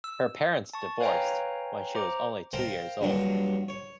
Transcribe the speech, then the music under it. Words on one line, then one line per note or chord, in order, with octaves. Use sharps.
Her parents divorced when she was only two years old.
E6
A5 C#6
B4 C#5 F5 G5 G#5 A#5
C5 A#5 D6
A#4 C5 F5 G5 A5 A#5
A#1 G2 F#3 D4 F#5
C#5